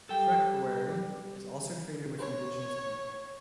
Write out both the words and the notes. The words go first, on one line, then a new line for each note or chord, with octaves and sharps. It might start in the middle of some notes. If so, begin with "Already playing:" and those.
Trekboere also traded with indigenous people.
G3 A4 G5
C#5